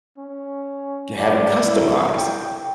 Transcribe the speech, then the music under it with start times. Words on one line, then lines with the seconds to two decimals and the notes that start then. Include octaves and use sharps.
ge have it customized.
0.18 C#4
1.18 D5
1.66 E4
2.17 G5